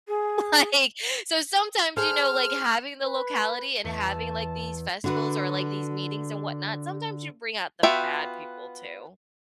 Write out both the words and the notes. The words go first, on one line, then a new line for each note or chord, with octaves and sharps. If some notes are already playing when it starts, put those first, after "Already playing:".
like so sometimes, you know, like, having the locality and having, like, these festivals, or, like, these meetings, and whatnot, sometimes you bring out the bad people too.
G#4
G#4 A4 C5 F6
B4
E2 E5 A5
D3 F#4 B4
B3 F4 F#4 E5 G5